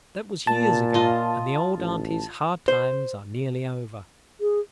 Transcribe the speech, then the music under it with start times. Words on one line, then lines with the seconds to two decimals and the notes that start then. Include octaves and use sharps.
That was years ago, and the old aunty's hard times are nearly over.
0.47 A#2 A5
0.94 F4 D#5
1.77 A1
2.68 C5
4.41 G#4